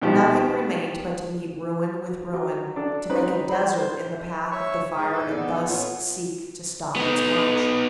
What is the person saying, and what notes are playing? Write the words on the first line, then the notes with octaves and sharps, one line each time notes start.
Nothing remained but to meet ruin with ruin, to make a desert in the path of the fire and thus seek to stop its march.
B2 D#3 F3 G4
F#3
D4 A4
C4 C#4 D#4 B4
C5 B5
C5
C#5 E5 C#6
G#2 D#4
G#4 A4
B3 D5
F4 C#5
B3 D#4